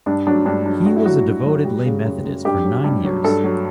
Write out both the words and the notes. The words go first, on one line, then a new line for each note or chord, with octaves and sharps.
He was a devoted lay Methodist for nine years.
G2 D4
F#3 D4
G2 D4
F#3 D4
G2 F#4
E4
F#3 F#4
G2
F#3
G3
C#3
F#2
F#2
G2 G4
F#3
G2
F#3
G2 A4
F#3